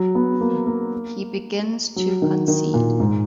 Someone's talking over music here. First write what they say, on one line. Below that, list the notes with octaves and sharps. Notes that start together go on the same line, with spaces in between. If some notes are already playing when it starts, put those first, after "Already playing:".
He begins to concede.
Already playing: F#3
B3
A#3
A#3
F#3
D#3
D#3
A#2
G#2